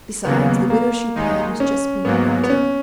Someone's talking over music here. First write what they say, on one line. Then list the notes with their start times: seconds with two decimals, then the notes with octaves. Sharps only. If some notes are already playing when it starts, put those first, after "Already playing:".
Besides, the Widow Chupin was just being brought in.
0.25 D#2 C#3 F#3 A#3 B3
0.70 A#3
1.15 D#2 D#3 G#3 D#4
1.60 C#4
2.05 G#2 F#3 A#3 B3
2.43 B3
2.50 C#4